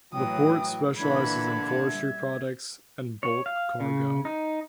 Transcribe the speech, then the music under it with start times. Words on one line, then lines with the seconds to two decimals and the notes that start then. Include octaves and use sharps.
The port specialises in forestry products and bulk cargo.
0.14 A2 E3 F#3 G5 D#6
0.98 A#2 D3 E3 B5 G#6
1.87 G3 E5
3.23 C#5
3.46 F5
3.80 C#3
4.25 D#4